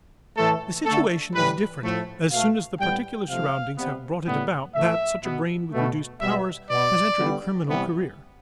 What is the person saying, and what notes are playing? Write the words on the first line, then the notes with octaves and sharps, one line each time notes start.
The situation is different as soon as the particular surroundings have brought it about that such a brain with reduced powers has entered a criminal career.
A2 E3 A3 A4
D3 A3 A4
A2 E3 G3 B4
A2 F3 A3
B2 A3 F5
A2 G3 B3 G5
C3 F3 A3 F5
C3 G3 B3
A2 G3 B3
A2 F3 A3 E5
B2 B3
B2 A3
B2 G3 B3 E5
B2 B3 D5
D3 G3 B3
C3 E3 G3 B3